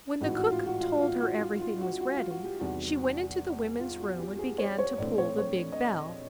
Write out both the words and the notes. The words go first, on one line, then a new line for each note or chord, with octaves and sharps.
When the cook told her everything was ready she went into the women's room and began to pull the big bell.
A1 G#2 E3 F#4
F#4
F4
F#4
F4
F4
F#4
F4
F4
F#4
F#4
F4
F#4
G4
E2 C3 D#3 G3 F#4
F4
F#4
G4
G#4
C#5
C#5
A#1 A2 E3 A3 C4 D5
C#5
C#5
D#5